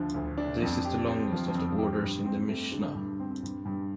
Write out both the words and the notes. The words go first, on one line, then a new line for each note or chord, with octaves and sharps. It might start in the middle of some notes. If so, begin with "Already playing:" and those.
This is the longest of the orders in the Mishnah.
Already playing: D2 D3 F3
D2
D4
F2
G4
C4
F3
F2
G4
G2
C4
A3
D3
G2
C4
G2
G2